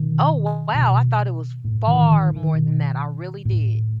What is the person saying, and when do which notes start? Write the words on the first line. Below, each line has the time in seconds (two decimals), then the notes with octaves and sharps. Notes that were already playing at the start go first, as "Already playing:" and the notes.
Oh, wow, I thought it was far more than that. I really did.
Already playing: B2 D#3
0.74 B2
1.64 A2
1.87 D#3
2.10 D#3
2.32 D#3
2.54 B2
3.45 A2